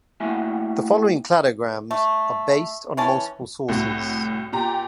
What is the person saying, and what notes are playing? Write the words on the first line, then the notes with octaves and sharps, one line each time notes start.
The following cladograms are based on multiple sources.
A3 A#3 E4 F#4 E5 G#5
A3
E3 C#4 A5
C2 A2 F#4
A#2 G4 A#5